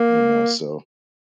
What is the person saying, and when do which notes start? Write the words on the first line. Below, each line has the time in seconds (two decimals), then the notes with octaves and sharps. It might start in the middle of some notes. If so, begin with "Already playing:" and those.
you know, so
Already playing: A#3